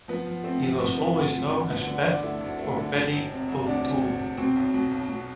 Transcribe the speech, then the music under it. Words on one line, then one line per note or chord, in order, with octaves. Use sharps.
He was always known as Pat or Paddy O'Toole.
F3 B3
F3
A3 C4
F3
C3 B3
C3
D2
F3
D3
D2 B3
D3
D3 D4
A3 E4
D2
A3
D3
E1
E1
C3
E1
D2 D4
C3
D2
C3
B2 C4
B1
B2
B1
B2